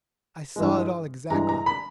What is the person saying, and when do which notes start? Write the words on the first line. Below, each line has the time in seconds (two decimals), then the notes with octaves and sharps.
I saw it all exactly.
0.56 G2 E3 G#3
1.30 G2 E3 G#3 A#5
1.49 A#5
1.66 B5